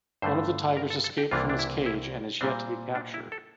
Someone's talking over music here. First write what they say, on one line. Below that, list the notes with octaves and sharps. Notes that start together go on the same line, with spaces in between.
One of the tigers escaped from its cage and is yet to be captured.
G2 D3 A3 C5
A#4
A4
A4
G4
C2 C3 E3 A#3 D4 F4
D4
E4
E4
A#2 G3 C4 D4
D4
E4
A4